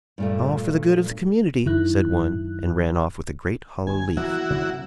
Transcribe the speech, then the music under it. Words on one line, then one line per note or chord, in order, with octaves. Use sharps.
"All for the good of the community!" said one, and ran off with a great hollow leaf.
G2 A#2 A3
F#2 D#3 E4 F#6
G1 G#5
E3 A#3 B3 E4 F#4
C3 F#3 A#3